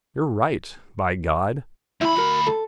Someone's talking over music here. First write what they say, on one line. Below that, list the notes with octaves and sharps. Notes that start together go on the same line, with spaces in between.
You're right, by God.
D2 E4 B5
F#4 A#4
A4